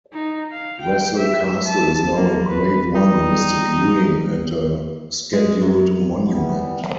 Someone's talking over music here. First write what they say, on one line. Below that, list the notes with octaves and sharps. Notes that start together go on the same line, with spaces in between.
Wressle Castle is now a Grade One listed ruin and a scheduled monument.
D#4
F5
G5
E5
A5
A#3
B4
G3 D#4
G#3
F#2
E3 G3 B3